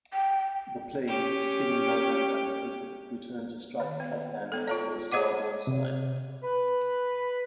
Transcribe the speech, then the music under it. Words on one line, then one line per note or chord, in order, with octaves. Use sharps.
The plane, skimming low and undetected, returned to strike "Callaghan" on the starboard side.
G5
C#4 G4
D#3
B3
B3 A4
F4 A4 D5
G#4 C5 D#5 F#5 D6
C3
B4